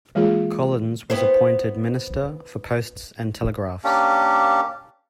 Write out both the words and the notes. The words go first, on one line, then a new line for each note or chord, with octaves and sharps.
Collins was appointed Minister for Posts and Telegraphs.
E3 G#3 A#3 F4 G#4
B3 E4 C5
A#3 C#4 D4 G4